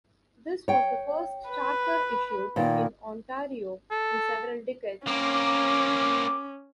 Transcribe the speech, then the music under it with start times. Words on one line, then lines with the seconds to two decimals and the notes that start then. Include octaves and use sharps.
This was the first charter issued in Ontario in several decades.
0.68 C#5 G5
1.49 B4
2.56 A#2 D#3 A#3
3.91 A4
5.07 A#3 C4 C#4 D6